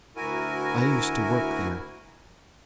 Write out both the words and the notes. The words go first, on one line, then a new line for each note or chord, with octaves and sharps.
"I used to work there."
D2 E4 F#4 A#4 G#5